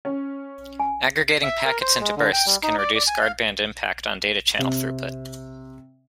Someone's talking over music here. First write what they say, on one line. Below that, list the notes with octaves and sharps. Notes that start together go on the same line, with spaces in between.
Aggregating packets into bursts can reduce guardband impact on data channel throughput.
C#4
G#5
E5
A#4
C5
G#3
D3
G5
G3
D#4
D5
D5
G#5
F5
C3